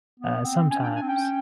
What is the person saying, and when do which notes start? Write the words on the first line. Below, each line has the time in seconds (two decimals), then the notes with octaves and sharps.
uh, sometimes.
0.20 B3
0.45 C4
0.70 C#4 G#5
0.82 D4 G5
0.95 D4 G#5
1.02 C4
1.08 C#4 G5